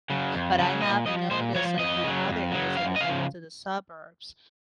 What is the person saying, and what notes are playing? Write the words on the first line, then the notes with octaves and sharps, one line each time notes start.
but I have noticed, like, in other areas, like, if I go to the suburbs
C#3 F#3
F2
C#3 F#3
A#2 D#5
F3 D#5
A#2 C5
F3 C#5
F2 D#5
C#3 F#3
F2
C#3 F#3
F#2 F5
D#5
C#3 F3 F5